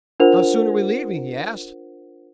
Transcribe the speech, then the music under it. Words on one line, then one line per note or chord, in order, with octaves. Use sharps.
"How soon are we leaving?" he asked.
D4 F4 A#4 C5 F#5 F7